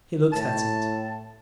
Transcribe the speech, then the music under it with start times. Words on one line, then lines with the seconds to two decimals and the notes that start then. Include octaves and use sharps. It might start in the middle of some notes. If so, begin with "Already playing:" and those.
He looked at it.
0.33 A2 A5